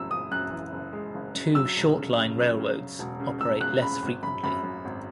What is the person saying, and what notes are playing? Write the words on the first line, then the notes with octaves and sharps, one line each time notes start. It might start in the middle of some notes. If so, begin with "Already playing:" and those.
Two short-line railroads operate less frequently.
Already playing: F#1 F#2 E3 E6
F#1 D#6
F#2 F#6
E3
F#1
G#3
F#1
F#2
F#3 E6
E1
C#3
C#3
F#3
C#3
C#3
E1
C#3
E1 E6
E2 F#6
C#3 B5
G#1
F#2 B5
F#2 B5
F#2
G#1